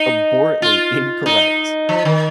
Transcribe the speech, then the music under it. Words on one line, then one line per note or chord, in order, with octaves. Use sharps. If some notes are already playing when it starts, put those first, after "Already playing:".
abhorrently incorrect
Already playing: D#4
F4
D#4
F3
D#3